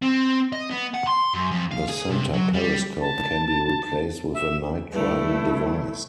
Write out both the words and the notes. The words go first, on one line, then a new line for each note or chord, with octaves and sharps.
The centre periscope can be replaced with a night driving device.
C4
D#5
B3
F#5
C6
F#2
F2
F5
G#4
C3
F#3
G3
A5
E5
G2 C#3 A3 E4